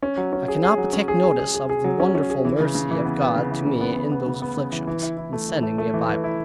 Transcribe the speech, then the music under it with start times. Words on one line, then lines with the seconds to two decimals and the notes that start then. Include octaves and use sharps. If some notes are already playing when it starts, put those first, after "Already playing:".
I cannot but take notice of the wonderful mercy of God to me in those afflictions, in sending me a Bible.
0.03 C#4
0.17 F#3
0.33 C#4
0.48 G#4
0.63 G#4
0.78 F#3
0.93 C#4
1.08 G#4
1.24 G#4
1.39 G#4
1.54 G#4
1.70 G#4
1.84 F#3
2.00 C#4
2.15 C#4
2.30 G#4
2.45 E3
2.60 C#3
2.75 C#3
2.91 E3
3.05 B3
3.21 B3
3.36 C#3
3.51 E3
3.66 C#3
3.81 B3
3.96 B3
4.12 B3
4.27 C#3
4.42 B3
4.57 C#3
4.72 E3
4.87 E3
5.02 E4
5.17 E4
5.33 A3
5.48 E3
5.63 A3
5.78 A3
5.94 E3
6.09 E3
6.24 E4